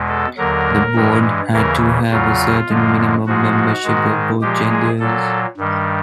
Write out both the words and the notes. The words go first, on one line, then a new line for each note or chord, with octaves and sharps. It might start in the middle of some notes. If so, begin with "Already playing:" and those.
The board had to have a certain minimum membership of both genders.
Already playing: E2 B2 G#3
A4
D#2 D3 F#3 A#4
G2 E3 G#3
D#2 C#3 E3 A#4
E2 C#3 F#3 F4
F#2 D3 F3 G#3
G#2 F3 G#3 F#4
G#2 D#3 G#3
A#2 F3 G#3 G4
G#4
A#2 F#3 A4
G2 D#3 G3